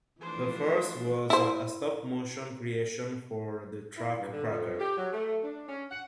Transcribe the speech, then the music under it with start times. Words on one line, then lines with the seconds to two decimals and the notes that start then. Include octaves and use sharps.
The first was a stop-motion creation for the track "Cracker".
0.21 E3 F3 A3 D4 C5
1.30 E4 C5
3.98 E4
4.20 G2
4.33 D3
4.50 F2
4.79 G4
4.98 F#3
5.13 A3
5.43 D4
5.68 C#4
5.91 F#5